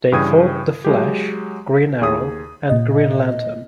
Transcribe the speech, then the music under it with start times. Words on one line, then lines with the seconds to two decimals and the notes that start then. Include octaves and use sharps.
They fought The Flash, Green Arrow and Green Lantern.
0.12 G2 C#3 E3 G5 D#6 G#6
0.84 F#3 G#3 G4
2.01 D#2 G#4 D#6
2.69 A#2 D#5